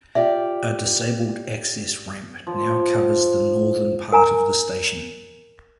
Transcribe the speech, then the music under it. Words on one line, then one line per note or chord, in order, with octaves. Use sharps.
A disabled access ramp now covers the northern part of the station.
F4 G4 D5 E5
F3
A#4 G#5 A#5